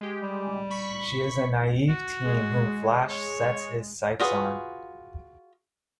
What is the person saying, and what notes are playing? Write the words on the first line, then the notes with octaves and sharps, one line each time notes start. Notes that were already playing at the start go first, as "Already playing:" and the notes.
She is a naive teen whom Flash sets his sights on.
G#3 G4
G3
B5 C#6 B6
F#4
G#3
C#5
F4 F#4 G#4 B4